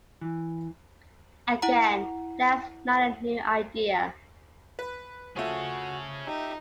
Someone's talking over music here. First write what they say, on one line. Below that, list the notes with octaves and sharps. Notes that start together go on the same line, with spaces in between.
Again, that's not a new idea.
E3
E4 F#5 A#5
B4
F3 A3 F#4 G#4 C#5
D#4 G4 E5